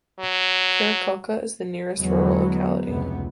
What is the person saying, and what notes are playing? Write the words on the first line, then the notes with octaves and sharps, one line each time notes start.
Karakulka is the nearest rural locality.
F#3
E2 D3 F#3 G#3 B3
F1 C#2 C3 B3